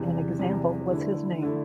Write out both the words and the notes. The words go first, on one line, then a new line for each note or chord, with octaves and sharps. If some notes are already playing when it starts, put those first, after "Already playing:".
An example was his name.
Already playing: E2 C3 E3 G3
E2 C3 E3 G3
D3 A3 E4
D3 A3 E4